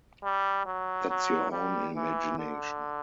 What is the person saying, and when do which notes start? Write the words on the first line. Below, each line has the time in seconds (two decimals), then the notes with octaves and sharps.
That’s your own imagination.
0.23 G3
0.66 F#3
1.09 F#3
1.52 G3
1.96 E3
2.39 D3